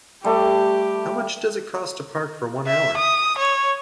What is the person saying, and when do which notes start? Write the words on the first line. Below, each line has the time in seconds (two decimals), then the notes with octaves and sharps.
How much does it cost to park for one hour?
0.24 G3 A3 G4 D6
2.67 E5
2.97 D#6
3.38 C#5